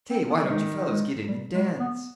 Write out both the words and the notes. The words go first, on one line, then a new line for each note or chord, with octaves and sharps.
"Say! why don't you fellows get in and dance?"
C4
B3
G3
D#3 G#3
G#3
G3
G#3
B3